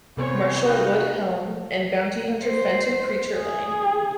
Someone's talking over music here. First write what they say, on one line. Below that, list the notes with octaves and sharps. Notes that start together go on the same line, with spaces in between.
Marshal Wood Helm and bounty hunter Fenton "Preacher" Lang.
C3 E3 B3 C5 C#5
D#4 F#4 B4 F5 G5
C5
G#4